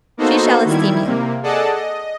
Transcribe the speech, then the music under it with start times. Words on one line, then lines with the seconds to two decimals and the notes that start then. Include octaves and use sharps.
She shall esteem you.
0.17 A#3 B3 D#4 F#4 A4 C5
0.65 D#3 G3 E4 G#6
1.04 C3 A#3
1.43 G#4 A4 D5 D#5 F#5 A5
1.75 D#5